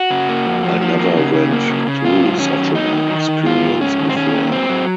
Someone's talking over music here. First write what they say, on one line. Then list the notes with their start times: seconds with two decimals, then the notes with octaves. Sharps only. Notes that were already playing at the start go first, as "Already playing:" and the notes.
I never went through such an experience before.
Already playing: F#4
0.10 C#3
0.29 A#3
0.46 F2
0.64 F3
0.81 F3
0.99 A#3
1.17 C#3
1.34 C#3
1.52 A#3
1.70 C#3
1.87 C#3
2.05 G#2 F4
2.22 F#3
2.40 D#3 C#4
2.58 F#3
2.75 F#3 D#4
2.93 D#3
3.11 D#3
3.28 D#3
3.46 G#2 F4
3.63 G#2
3.81 G#2 C#4
3.99 D#3
4.10 C4
4.16 D#3 C#4
4.34 A#3
4.52 F#3 C4
4.69 F#3